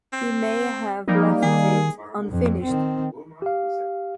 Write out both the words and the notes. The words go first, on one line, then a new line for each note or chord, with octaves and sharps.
He may have left it unfinished.
C4
F3 G3 A#3 D#4
D#3 G#4
F2
D#3 C4
G4 F5